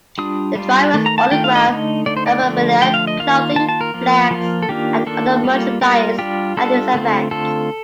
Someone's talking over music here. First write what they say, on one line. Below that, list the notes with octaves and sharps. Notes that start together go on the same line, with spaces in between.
The drivers autograph memorabilia, clothing, flags and other merchandise at these events.
G3 D4 F4 D#6
G3 D4 F4
D#3 A3
A#5
A5
D#3 A3 D4 F4 G5
F5
D#5
D3 A3 D#4
D3 A3 D#4 D5
C5
D5
D3 F3 A3
D3 F3 A3 G5
F5
D#5
D#3 A#3 F4 F5
D#3 A#3 F4 A5
A5
A#4
F3 A#3 F4
F3 A#3 F4
A4
D#3 A#3 D4 F4 G4
D#3 A#3 D4 F4 A4
G3 A#3 F4
G3 A#3 F4 A#4
G3 D4 F4 G4
G3 D4 F4 A4
D3 A3 C4 F4
D3 A3 C4 F4 A4